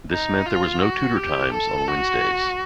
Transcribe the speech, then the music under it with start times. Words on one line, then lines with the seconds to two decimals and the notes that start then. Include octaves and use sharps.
This meant there was no tutor times on Wednesdays.
0.11 D#4
0.46 F4
0.81 F#4
1.16 G4
1.53 A4
1.87 F#4